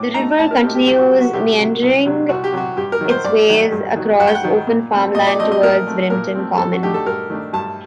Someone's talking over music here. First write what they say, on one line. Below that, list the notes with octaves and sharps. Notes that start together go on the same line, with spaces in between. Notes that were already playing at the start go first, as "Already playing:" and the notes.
The river continues meandering its way across open farmland towards Brimpton Common.
Already playing: A2 A3 D6
A3 C4 D#4 A#5
A2 A5
A#4
A3 C4 D#4 G4
G4
C2 G4
F#4
C3 F#3
F#4
C2 G4
C3 F#3
C2
C3 F#3
C2 F#4
G4
C3 F#3 F#4
G2 G4
A#4
D#3 F#3
C5
G2 D5
D#3 F#3
G2
D#3 F#3
G2 F#5
G5
F#5
D#3 F#3
A#2
A3 C4
A#2 D#5
D5
A3 C4 D#5
D#5
A#2 A#4
A3 C4
A#2 A#4
A3 C4
G2 A4
F#4
D#3 A3 D4 G4
A4
G2 A#4
D#3 A3 D4
G2 A5